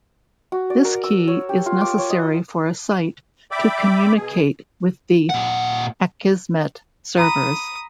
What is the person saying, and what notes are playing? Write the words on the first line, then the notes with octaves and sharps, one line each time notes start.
This key is necessary for a site to communicate with the Akismet servers.
F#4
D5
A#4
E6
C#5
G4
F4
D6
C#5
D#5
D5 E5 G5 B5 D6
B2 G#4
A#2 F#5
A#5 B5 D#6